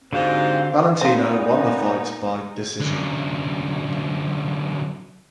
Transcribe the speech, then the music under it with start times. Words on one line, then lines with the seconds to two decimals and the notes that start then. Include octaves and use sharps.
Valentino won the fight by decision.
0.13 G#2 D3 C4 F#4 G4 F5
1.01 A#2 B3 C4 D#4 F4
2.81 F#2 D3